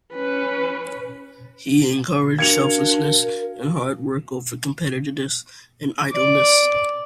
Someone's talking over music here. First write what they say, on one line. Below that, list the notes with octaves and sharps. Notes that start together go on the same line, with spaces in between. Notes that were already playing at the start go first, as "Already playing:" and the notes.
He encouraged selflessness and hard work over competitiveness and idleness.
C#4 B4
D4 F#4 A#4 F5 G#6 C#7 F7
D5